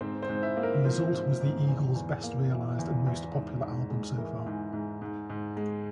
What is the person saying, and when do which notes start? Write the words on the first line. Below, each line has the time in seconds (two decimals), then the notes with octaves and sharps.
The result was the Eagles' best-realized and most popular album so far.
0.01 G#2 C4 C5
0.22 C4 C5
0.29 G#2
0.42 E4 E5
0.57 A#3
0.63 A#4
0.85 F3 C4 C5
1.12 G#2
1.40 G#2
1.68 E2
1.96 E2
2.23 A#3
2.52 E3
2.79 E2
3.07 E2
3.34 G#2
3.62 G#2
3.90 G#3
4.18 E3 A#4
4.46 G#2
4.73 G#2
5.02 G#2
5.30 G#2
5.57 G#3